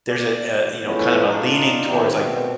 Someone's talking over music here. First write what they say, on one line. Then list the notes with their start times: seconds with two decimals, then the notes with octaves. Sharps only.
there's a a, you know, kind of a leaning towards, like
0.09 D5
0.82 E3 F3 G#3 A3 B3 C#4
1.25 D4 D#4 F4
1.86 A2 D#3 B3 C4 E4 G4
2.09 B2 C4